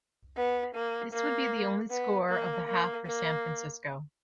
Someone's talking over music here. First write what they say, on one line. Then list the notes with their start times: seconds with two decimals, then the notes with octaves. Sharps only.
This would be the only score of the half for San Francisco.
0.37 B3
0.75 A#3
1.13 A#3
1.90 B3
2.29 A#3
2.68 A#3
3.07 A#3